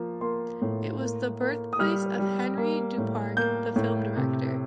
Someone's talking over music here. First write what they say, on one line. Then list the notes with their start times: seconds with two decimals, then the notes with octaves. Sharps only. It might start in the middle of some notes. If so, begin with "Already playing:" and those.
It was the birthplace of Henri Duparc, the film director.
Already playing: F3 A#3
0.21 A#3 C6
0.62 A2
1.01 A#3
1.40 A#3
1.73 D#6
1.79 G3 F6
2.19 G3
2.58 A#3
2.98 A2
3.37 A#3 G6
3.76 A2
4.16 C3